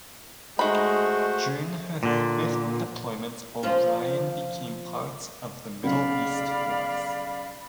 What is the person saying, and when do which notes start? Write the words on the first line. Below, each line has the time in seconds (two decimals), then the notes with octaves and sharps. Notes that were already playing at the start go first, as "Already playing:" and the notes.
During her fifth deployment, "O'Brien" became part of the Middle East Force.
0.59 G#3 A3 D#4 F#4 C5 B5
2.03 A#2 D3
3.63 F3 C#4 F4
5.83 B1 C#3 D5 F5 B5